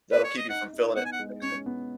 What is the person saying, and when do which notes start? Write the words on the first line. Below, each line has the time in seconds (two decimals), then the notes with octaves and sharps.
That'll keep you from filling it. Mixed in.
0.12 B4
0.24 C#5
0.37 D#5
0.49 D#4 F#5
0.73 D#4
0.96 B3 F#5
1.05 G#5
1.12 F#5
1.19 G#3
1.42 C#4 C#5
1.66 B3